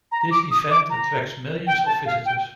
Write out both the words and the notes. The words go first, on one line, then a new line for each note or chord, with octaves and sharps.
This event attracts millions of visitors.
A#5
D6
D#6
D6
A#5
G5
A5
F5
G5